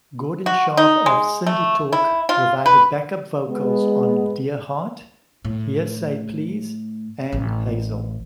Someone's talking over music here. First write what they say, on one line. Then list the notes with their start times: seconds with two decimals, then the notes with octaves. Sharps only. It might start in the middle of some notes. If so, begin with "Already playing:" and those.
Gordon Sharp of Cindytalk provided backup vocals on "Dear Heart", "Hearsay Please", and "Hazel".
0.46 F#4
0.77 D#4
1.06 G#3
1.46 A3
1.93 E4
2.29 F4
2.66 B4
3.50 G#3 B3
5.44 A2
7.32 A1